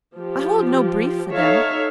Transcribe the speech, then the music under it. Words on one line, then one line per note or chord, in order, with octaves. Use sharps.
I hold no brief for them.
F3 G4
D#4 A4 C#5 E5 F5